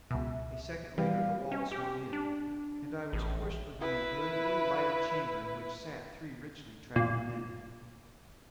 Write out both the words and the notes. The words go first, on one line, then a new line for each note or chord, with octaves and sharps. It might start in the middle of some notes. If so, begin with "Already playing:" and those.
A second later the wall swung in, and I was pushed within a brilliantly lighted chamber in which sat three richly trapped men.
C#2 B2 E5
E3 G3 F5
C#4
G4
D4
A1
E4 B4
A#2